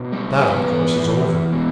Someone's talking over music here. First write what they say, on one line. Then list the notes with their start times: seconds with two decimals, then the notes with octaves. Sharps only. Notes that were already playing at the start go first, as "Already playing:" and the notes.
That, of course, is over.
Already playing: B2 D4
0.12 G3
0.40 B2 B3 B4
0.69 E2
0.97 E2
1.24 E2
1.52 B2